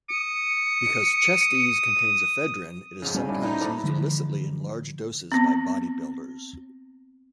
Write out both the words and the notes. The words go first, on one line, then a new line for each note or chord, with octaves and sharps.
Because ChestEze contains ephedrine, it is sometimes used illicitly in large doses by bodybuilders.
D#6 C#7
F2 G#2 C#3
G3 C#4
G#2 B2 D4 E4
D#4
D4 A4 C5 B5
D3 E3 F3 G#3
B3 C4